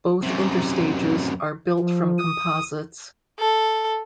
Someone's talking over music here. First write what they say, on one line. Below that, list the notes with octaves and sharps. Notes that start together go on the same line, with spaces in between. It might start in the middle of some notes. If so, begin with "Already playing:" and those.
Both interstages are built from composites.
F#2 C3
F3
D#6
A4